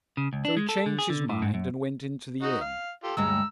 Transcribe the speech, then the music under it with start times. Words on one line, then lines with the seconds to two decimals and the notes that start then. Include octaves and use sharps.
So he changed his mind, and went into the inn.
0.17 C#3
0.33 C#2
0.45 D4
0.57 G#3
0.69 A4
0.86 D3
0.99 G#4
1.10 D3
1.30 A2
1.42 G#2
1.54 F#2
2.42 D#4 F#4
2.61 F5
3.04 F4 G4 A4
3.17 D2 G2 G#3 A#5 E6